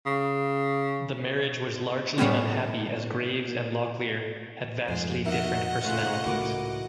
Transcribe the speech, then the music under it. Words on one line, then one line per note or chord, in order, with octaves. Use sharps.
The marriage was largely unhappy as Graves and Locklear had vastly different personalities.
C#3
A2 G3 B3 C#4
F2 G#2 F3 A3 C5
D#4 F#4 A#4 D#5 E5 F#5
C#3 A3 F4 F#6
C#2 A2 E3 E4 F#4 A#4 D6